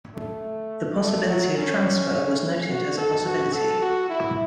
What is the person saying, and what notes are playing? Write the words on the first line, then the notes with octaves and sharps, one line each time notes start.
The possibility of transfer was noted as a possibility.
A3
A3
F#3
C#4
F#4
A4
F#4
A4
F#4
E4